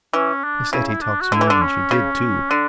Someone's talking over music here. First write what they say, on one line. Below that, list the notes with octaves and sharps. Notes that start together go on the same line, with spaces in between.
Miss Etty talks more than she did, too.
E3 C#4
D4
C#3 E4
E4
D4
F#4
D3 E4
E3
D3 D4
C#4
C#3
D3 D4